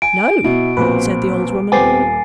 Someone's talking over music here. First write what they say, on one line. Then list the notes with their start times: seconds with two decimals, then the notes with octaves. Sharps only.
"No," said the old woman.
0.02 G#5 D7
0.44 B2 E4
0.77 A#1 A#2 C4 B4
1.72 D#1 B3 C4 G4 G#5 D6 A6 C7